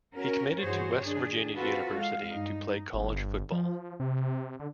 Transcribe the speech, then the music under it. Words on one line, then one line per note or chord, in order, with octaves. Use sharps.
He committed to West Virginia University to play college football.
C#4 F#4 A#4
G2 E3 F#4 G#4 C5 C#5
D#3 D4 G#4
C4 F4 F#4 A4 B4
G#3 F5
G2 D#4
G1
F3
C3
D3